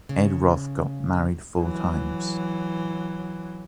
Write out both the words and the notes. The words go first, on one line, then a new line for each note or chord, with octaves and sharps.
Ed Roth got married four times.
C#3
E3 F#3